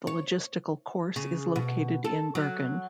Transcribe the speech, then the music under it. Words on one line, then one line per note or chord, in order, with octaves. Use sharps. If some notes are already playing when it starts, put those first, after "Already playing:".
The logistical course is located in Bergen.
C#5
C#3
B2
A4
F#3